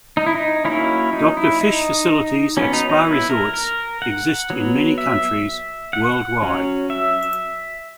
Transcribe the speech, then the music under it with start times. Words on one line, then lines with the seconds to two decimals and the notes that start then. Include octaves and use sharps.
Doctor fish facilities at spa resorts exist in many countries worldwide.
0.17 D#4
0.26 E4
0.35 D#4
0.65 F#3 A#3 C#4 E4
1.13 D#4
1.37 E4
1.61 D#4
2.57 F#3 B3 C#4
2.73 D#4
2.90 D#4
3.05 E4
3.30 A#4
3.54 A#4
4.02 F#5
4.50 F#3 B3
4.98 E5
5.93 F#5
6.42 F#3 C#4
6.90 E5